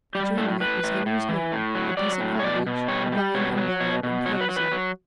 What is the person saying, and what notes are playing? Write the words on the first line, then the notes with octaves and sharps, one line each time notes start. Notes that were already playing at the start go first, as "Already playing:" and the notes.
Adjoining it was Henry's home--a decent cottage, vine-embowered and cosy.
G3 G4
A2 A4
A2 B4
A2
A2
E3
A2
F#3
F#3 D5
A2
C#5
B2 D5
B2
G3 C#5
G3
B2 C#5
F#3
B2 C#5
B2
F#3 C#5
B4
F#3
B4
F#3